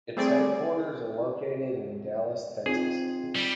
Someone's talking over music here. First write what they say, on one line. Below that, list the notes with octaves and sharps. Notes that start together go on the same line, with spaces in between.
Its headquarters are located in Dallas, Texas.
G3 A3 C4 G#4 D5
C4 D#4 F4 G#4
G3